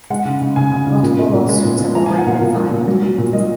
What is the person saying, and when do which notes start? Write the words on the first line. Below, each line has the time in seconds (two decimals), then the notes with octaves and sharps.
Multiple lawsuits have already been filed.
0.10 G#3 F#5
0.25 C#3
0.41 C#3
0.56 C#3 G#5
0.72 C#3
0.87 C#3
1.03 A#2
1.18 A#2
1.34 A#2
1.49 G#3
1.64 A#2
1.79 A#2
1.95 F3 A#5
2.06 G#5
2.10 F3
2.18 F#5
2.26 A#2 F5
2.41 A#2
2.57 F3
2.71 A#2
2.88 F#3
3.02 F#3
3.18 A#2
3.33 F#3 D#5